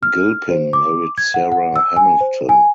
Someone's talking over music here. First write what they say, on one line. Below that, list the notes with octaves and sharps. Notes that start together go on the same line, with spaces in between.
Gilpin married Sarah Hamilton.
F6
C5
D6
G#6
F#5
F#5
E6
G#5
C5
G#5